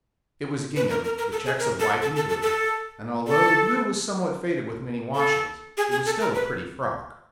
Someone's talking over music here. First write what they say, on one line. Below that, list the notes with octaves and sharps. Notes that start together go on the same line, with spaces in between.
It was gingham, with checks of white and blue; and although the blue was somewhat faded with many washings, it was still a pretty frock.
B4
A#4
A#4
A#4
A4
G#4
A#4
A4
A4
A4
A4
A4
A4
A4
G#4
G#4
A4
A#4
B4